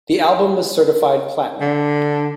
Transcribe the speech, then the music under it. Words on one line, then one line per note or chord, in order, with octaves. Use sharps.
The album was certified platinum.
D3